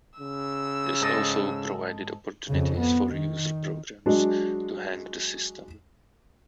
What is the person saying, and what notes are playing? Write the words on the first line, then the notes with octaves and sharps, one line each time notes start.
This also provided opportunities for user programs to hang the system.
C#3 E6
G#2 A4 D#5
F2 C#3
B3
D#3
F#3 G#3 D4 F#4